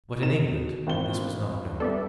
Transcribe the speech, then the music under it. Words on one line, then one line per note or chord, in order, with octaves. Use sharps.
But in England this was not known.
D#3 E7
B2
G#1 E3 C4 D4 G7
G3 B3 D4 A4 D5 E5